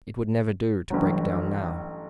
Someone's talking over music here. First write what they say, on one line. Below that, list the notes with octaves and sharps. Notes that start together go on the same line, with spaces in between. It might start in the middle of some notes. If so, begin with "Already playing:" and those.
It would never do to break down now.
A1 G2 F#3